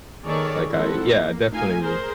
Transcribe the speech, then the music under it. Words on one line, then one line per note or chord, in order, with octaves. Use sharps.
like, I Yeah, I definitely,
D#3 A#3 G#4 A4 C#5 D5
F3 G#3 C4 E4 A4 F#5
A#3
A3 D#4 F4 F5 G#5
G#4 A#4 C5